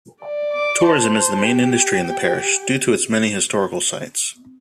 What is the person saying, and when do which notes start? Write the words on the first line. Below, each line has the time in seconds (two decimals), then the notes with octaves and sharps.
Tourism is the main industry in the parish, due to its many historical sites.
0.23 D5
0.53 D6
0.83 C5 A5
1.14 A5
1.44 G4 G5
2.04 G4